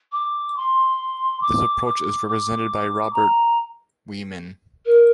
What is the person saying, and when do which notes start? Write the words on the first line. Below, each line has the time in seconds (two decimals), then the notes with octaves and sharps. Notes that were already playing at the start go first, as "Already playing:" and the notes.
This approach is represented by Robert Weimann.
0.12 D6
0.57 C6
1.41 D6
1.85 D6
2.28 D6
3.13 A#5
4.85 A#4